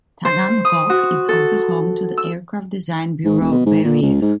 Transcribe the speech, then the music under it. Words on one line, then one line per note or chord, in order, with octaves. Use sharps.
Taganrog is also home to the aircraft design bureau Beriev.
C5
D#6
F#4
A4
E6
G#2
E1
B2
G#2
A#2
C#2
G#2